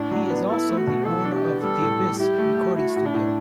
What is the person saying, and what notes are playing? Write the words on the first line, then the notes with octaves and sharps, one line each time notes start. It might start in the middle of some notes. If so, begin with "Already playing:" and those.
He is also the owner of "The Abyss" recording studio.
Already playing: A2 D4
F#3
B3
E4 A4
A3
F#4
B2
E3 A4
D4
G4
B3
G3 A4
A2
G3
E4 G4
A3
A3
E4 F#4
A2
D4
A2